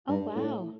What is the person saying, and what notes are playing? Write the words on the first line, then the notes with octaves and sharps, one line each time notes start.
Oh, wow.
G2
A2